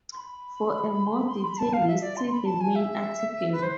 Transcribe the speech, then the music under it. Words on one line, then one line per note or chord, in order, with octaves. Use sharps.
For a more detailed list see the main article.
C6
B5
C6
B5
C6
B5
A5
F5
E5
D5
C6
B5
A5
G#5
E5
B4
C5